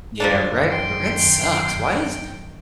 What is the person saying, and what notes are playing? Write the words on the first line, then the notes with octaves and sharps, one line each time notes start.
Yeah. Rent your rent sucks. Why is
F#2 D#3 F3 A#3 D4
G5 C6